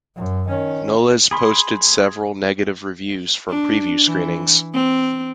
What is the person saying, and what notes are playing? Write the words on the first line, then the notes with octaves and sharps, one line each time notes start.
Knowles posted several negative reviews from preview screenings.
F#2
D#3 C#4
G#4 B5 C6
D4
E3
C4